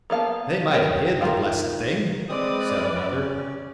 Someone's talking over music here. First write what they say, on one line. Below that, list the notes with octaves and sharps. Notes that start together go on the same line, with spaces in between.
"They might have hid the blessed thing," said another.
A#3 B3 F5 A5
G4 A#4 B4 C#5
D#3 F#3 F4 F5 G5
G#3 C4 B4 D5 D#6
C#4